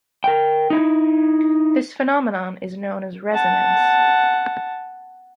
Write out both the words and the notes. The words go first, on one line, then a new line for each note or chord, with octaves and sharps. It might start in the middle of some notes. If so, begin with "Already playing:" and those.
This phenomenon is known as resonance.
A#4 G5
D#4 E4
F#5 A5